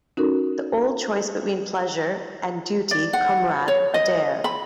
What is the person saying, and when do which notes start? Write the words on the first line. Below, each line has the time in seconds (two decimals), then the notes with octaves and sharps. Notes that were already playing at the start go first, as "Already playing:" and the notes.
The old choice between Pleasure and Duty, Comrade Adair.
0.17 C#4 D#4 F#4 A4 A#4
2.91 D5
3.13 F#5
3.68 C#5
3.94 D#5
4.44 B5